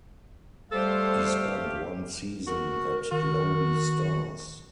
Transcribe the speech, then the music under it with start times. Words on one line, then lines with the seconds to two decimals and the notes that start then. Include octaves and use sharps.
He spent one season at Lobi Stars.
0.72 G3 A3 G4 A4 C5 F5
2.47 F#4 A#4
3.12 D#3 F#4